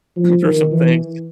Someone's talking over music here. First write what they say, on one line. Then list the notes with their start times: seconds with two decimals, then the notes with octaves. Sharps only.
for some things.
0.16 F3
0.44 D#3
0.72 E3